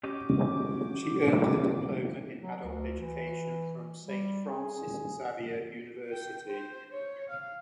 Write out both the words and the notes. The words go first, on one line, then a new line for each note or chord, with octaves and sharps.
She earned her Diploma in Adult Education from Saint Francis Xavier University.
C#4 F#4 G4 D#5 D6
F#3
D2
E3
G3
G#4
G5
C5
C#5
F5